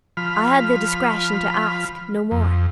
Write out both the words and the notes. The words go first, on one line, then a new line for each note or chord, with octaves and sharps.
I had the discretion to ask no more.
F3 B5 F6
F2